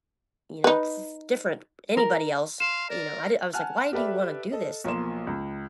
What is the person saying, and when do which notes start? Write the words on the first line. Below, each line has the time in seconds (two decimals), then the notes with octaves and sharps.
you know, s different, anybody else. But, you know, I di I was like, "Why do you wanna do this?" Like
0.64 D#4 B4
1.97 A#4
2.60 F5 C6 E7
2.90 A#4 D5
3.53 F#5 G#5 A5 F6 F#6
3.93 G4 A4 B4 D5 E5
4.52 A4 D#5
4.84 B1 F3 A#3 C6 E7
5.27 C#2